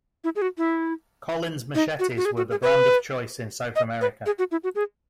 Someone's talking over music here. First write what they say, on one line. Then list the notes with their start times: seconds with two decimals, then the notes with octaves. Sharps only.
Collins machetes were the brand of choice in South America.
0.24 E4
0.36 G#4
0.42 F#4
0.58 E4
1.75 D#4
1.99 F#4
2.17 F#4
2.25 G#4
2.37 F#4
2.50 G#4
2.62 B4
3.76 D#5
4.01 B4
4.26 G#4
4.39 F#4
4.52 E4
4.64 F#4
4.75 G#4